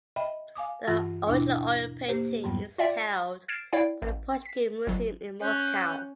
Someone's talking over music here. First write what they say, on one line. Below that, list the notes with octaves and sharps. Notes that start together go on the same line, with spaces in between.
The original oil painting is held by the Pushkin Museum in Moscow.
D#5 E5 G5 B5
F5 G#5 D6 D#6
G2 E3 F4 F#5 A5 A#6
D#2 B2 D4 E4
A#3 G4 C5
F2 G#2 F#3 G3 B3
F4 D5 E5 G5
F6 G#6 A6 C7 D7 E7
E4 C#5 D5 F5 G5
A1
B6
G1 F#3
C#4 F#6 G6